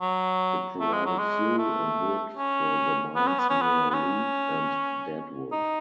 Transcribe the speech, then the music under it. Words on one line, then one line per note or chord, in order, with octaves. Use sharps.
It provided fuel and wood for the mines near Lead and Deadwood.
F#3
A3
G#3
F#3
G#3
A3
C#4
B3
C#4
B3
C#4
B3
B3
C#4
D#4